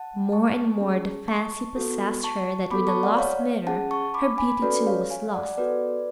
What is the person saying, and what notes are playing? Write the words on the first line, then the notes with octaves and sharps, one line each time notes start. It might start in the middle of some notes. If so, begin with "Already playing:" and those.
More and more the fancy possessed her that with the lost mirror her beauty too was lost.
Already playing: F#5 A5
A5 C#6
C#4 G#4
A5 C#6
B3 F#4 A4
A5 C#6
B3 F#4 A4 B5 D6
A5 C#6
D5 F#5
C#5 F5
C#4 G#4 F#5 A5
A5 C#6
B5 D6
G#5 B5
C#4 F#4 A4 B4 D5
C#5 F5
F5 G#5
D5 F#5
B3 F#4 A4 B4 D5